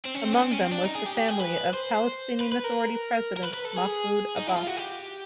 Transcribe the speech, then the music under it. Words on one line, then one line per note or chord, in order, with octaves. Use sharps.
Among them was the family of Palestinian Authority President Mahmoud Abbas.
C4
C#4
C4
C#4
C4
C#4
C4
D4
D#4
G#4
G4
G4
G#4
B4
C5
B4
B4
A#4
A#4
B4
B4
A4
G#4
D#4
E4
F4
F#4
G4